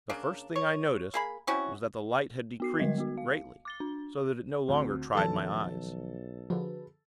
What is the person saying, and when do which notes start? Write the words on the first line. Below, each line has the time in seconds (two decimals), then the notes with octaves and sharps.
The first thing I noticed was that the light had decreased, greatly; so that it no longer tried my eyes.
0.10 C#3 A#3 D4
0.56 C#5
1.14 A#3 G#4 B5
1.47 C4 C#4 E4 F#4
2.60 B3 F#4 C7
2.78 D3 G3 G#3 D#5 G#6
2.98 B3 F#4
3.18 F5
3.65 D6 A6 G7
3.80 D4
4.68 D2 C4
5.15 B1 D#3 F3 A4 A5
6.50 D3 F3 F#4 G#4 B4